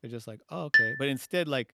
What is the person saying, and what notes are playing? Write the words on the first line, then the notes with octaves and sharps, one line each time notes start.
They're just, like, "Oh, okay." But instead, like
A6